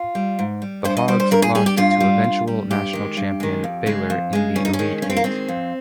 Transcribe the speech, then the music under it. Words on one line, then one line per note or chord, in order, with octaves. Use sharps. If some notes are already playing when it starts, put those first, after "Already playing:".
The Hogs lost to eventual national champion Baylor in the Elite Eight.
Already playing: F4
G3
G#2
G3
G2 C5
D#5
G3 C5
C5
G2 A#4
G#4
G3 G#4
G4
G2 F4
G3
G2
G3
G2 G4
D#3 G#3
G2
D#3 G#3
F2
C#3 G#3
F2
C#3 G#3
G2 C#4
D#4
C#4
D#3 G#3
G2 C#4
C4
A#3
D#3 G#3 C4
F2